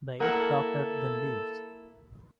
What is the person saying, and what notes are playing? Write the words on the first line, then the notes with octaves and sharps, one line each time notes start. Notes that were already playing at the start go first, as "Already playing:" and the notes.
The Eighth Doctor then leaves.
A#3 E4 A4 A#4 F#5